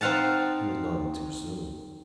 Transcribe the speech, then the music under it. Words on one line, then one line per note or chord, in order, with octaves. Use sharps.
He was none too soon.
C4 D#4 F5 F#5 A5